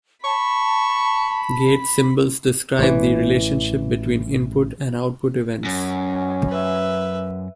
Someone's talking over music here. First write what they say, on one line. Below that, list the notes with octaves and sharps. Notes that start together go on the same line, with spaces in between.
Gate symbols describe the relationship between input and output events.
A5 B5 C#6
A1 E3
F#2 C#4
B4 E5